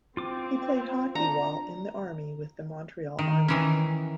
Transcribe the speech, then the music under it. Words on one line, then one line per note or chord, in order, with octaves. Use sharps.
He played hockey while in the army with the Montreal Army.
C4 F4 D6
D4 A#5
D#3
D#3 E3 C#4